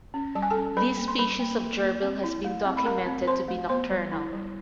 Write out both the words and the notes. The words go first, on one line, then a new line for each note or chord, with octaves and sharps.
This species of gerbil has been documented to be nocturnal.
C#4
G3 A5
G#5
A4 A5
C#4
G3 B4 B5
A#3
C6
G3 B4 B5
A#3
A#3
A#3
C4
E4
A3
C4
B5
A3 A#4 A#5
C4
C4 C5 C6
A3
B3 C5 C6
G3
E4
G3